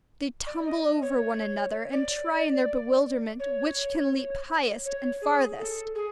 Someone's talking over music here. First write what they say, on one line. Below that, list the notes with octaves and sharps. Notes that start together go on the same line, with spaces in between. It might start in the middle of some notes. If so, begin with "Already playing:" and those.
They tumble over one another and try in their bewilderment which can leap highest and farthest.
D5
D#5
C#5
D5
C#5
C#5
G#4
A4
G#4